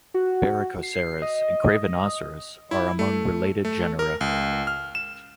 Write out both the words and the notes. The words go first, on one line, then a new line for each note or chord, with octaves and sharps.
"Beyrichoceras" and "Cravenoceras" are among related genera.
F#4
C7
D#5
E4
A3
A3
A#4
C#2
F6
E7